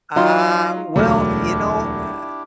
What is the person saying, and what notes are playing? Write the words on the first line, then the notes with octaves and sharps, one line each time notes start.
Uh, well, you know, eh
F#3 D#4 F4 D5 F5
E1 D2 F#3 A3 D4 E4 G4 F6